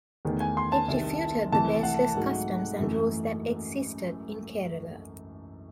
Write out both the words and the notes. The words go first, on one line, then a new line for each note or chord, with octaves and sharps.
It refuted the baseless customs and rules that existed in Kerala.
E2 D#3 A3
G#5
C6
A5
C2 C3 D#3
C2 C3 E3 A3 A5
F#5
G#2 F#3 A3
F#2 E3 A3